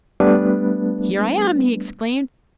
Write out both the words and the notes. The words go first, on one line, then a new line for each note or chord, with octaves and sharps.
'Here I am!' he exclaimed.
G3 A3 B3 D4 B4